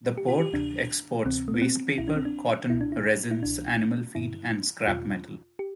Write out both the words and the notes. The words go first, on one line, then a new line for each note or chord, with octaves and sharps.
The Port exports wastepaper, cotton, resins, animal feed, and scrap metal.
G4
F4
G4
D2 C3 E3 D4
D2 C3 E3 C4
A3
B3
C4
C2 B2 E4
D4
C4
D4
C2 B2 E4
D4
E4
E4
C2 B2 D4
G2 D3 E4
E2 B2 F4
G4